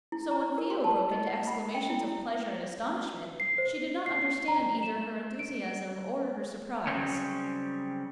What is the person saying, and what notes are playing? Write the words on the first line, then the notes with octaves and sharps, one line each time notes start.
So when Theo broke into exclamations of pleasure and astonishment, she did not understand either her enthusiasm or her surprise.
E4
A#5
A#4
C6
A5
D#5
F#5
B5
G5
E4
C7
C5
C7
A#5
E7
D7
C#3 F#3 G3 C4 C#4